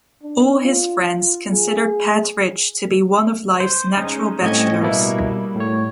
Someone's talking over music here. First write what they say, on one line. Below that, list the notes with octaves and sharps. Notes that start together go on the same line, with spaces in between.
All his friends considered Pett Ridge to be one of life's natural bachelors.
D4
F4
G#4
C5
G#3 C#4 D#4
A2 G3 C4 C#4 D#5 G#6
B2 G3 A#3 E4
A2 C#5